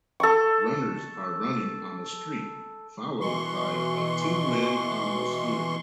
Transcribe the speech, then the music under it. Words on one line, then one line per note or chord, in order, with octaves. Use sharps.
Runners are running on a street, followed by a two men on a scooter.
A4 C#6
B2 E3 C6 C#6